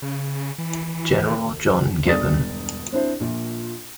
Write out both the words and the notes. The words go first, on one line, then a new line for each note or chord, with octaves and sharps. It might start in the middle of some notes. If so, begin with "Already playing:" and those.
General John Gibbon.
C#3
E3
E1 G2 D5 D#6 A6
C4 D4 E4 C5
A#1 A#2